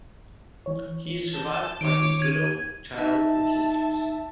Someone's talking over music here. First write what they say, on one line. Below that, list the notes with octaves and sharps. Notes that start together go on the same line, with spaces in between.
He is survived by his widow, child, and sisters.
E3 C#5
A5 G6
D#3 C#5 D6 D7
G#6 D#7
D#4 E5 A5